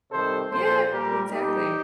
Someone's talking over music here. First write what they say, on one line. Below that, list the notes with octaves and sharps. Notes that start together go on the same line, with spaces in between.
Yeah. Exactly.
C3 D#3 G3 A4 C5
A#2 F3 A4 C5
A#2 G3 G4 A#4
A#2 G3 D#4 G4